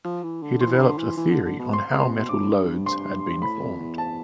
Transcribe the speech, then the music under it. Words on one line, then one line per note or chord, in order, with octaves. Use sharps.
He developed a theory on how metal lodes had been formed.
F3
E3
D3
E3 C6
D3 B5
C6
E3
E3
D3
D3
B2
C6
C3
C6
B2
G2 D6
A2
G2
C6
A2 B5
F2
E2
A5